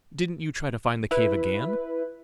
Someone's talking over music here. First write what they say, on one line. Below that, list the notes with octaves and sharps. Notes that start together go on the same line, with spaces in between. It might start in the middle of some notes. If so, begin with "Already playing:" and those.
"Didn't you try to find the cave again?"
E4 B4